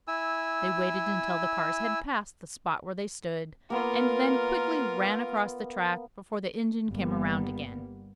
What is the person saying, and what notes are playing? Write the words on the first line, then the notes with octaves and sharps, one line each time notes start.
They waited until the cars had passed the spot where they stood and then quickly ran across the track before the engine came around again.
E4 G#5 E6
A#3 B3 F4 A#4
G1 G3 A#3 B3